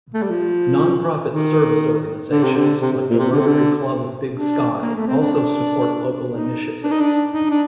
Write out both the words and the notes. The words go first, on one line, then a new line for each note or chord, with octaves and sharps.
Non-profit service organizations like the Rotary Club of Big Sky also support local initiatives.
A3
G3
F3
D#3
D3
C3
D3
C3
A#2
C3
D3
C3
D3
D4
A#3
A3
C4
D4
D4
D#4
D4
D#4
D4
D#4
D4